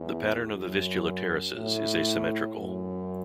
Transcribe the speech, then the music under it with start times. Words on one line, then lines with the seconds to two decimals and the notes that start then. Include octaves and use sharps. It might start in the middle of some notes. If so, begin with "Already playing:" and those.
The pattern of the Vistula terraces is asymmetrical.
Already playing: E2
0.54 F#2
1.56 A2
2.58 F#2